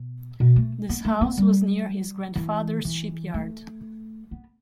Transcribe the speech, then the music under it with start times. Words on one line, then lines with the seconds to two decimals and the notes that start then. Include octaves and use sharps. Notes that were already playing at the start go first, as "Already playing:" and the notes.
This house was near his grandfathers ship yard.
Already playing: B2
0.40 B2
0.56 A3
0.89 B3
1.05 A3
1.21 B3
1.37 G3
2.36 E3
2.85 E3
3.34 A3
4.31 B3